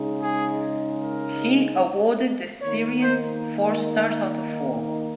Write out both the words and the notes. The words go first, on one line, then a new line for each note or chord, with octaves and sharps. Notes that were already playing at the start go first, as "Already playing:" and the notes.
He awarded the series four stars out of four.
Already playing: C#3 G#3 D#4
G#4
A#4
D#3 A#3 D#4 C#5
C5